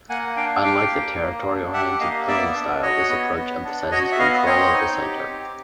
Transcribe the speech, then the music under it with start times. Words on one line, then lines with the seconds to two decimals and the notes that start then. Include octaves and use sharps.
Unlike the territory-oriented playing style, this approach emphasizes control of the center.
0.09 A#3 F#5 G#5
0.37 D4 F5 G5
0.63 G4 F5 G5
0.91 A#3
1.19 A#3
1.46 D4
1.73 G4 E5 F#5
2.00 A#3 D#5 F5
2.28 B3 D5 E5
2.55 D4
2.82 F#4 C#5 D#5
3.10 B3
3.38 B3
3.64 D4
3.91 F#4 C#5 D#5
4.12 E5
4.18 B3 D#5 F5
4.46 C4 C#5 D#5
4.73 D#4
5.01 G4
5.28 C4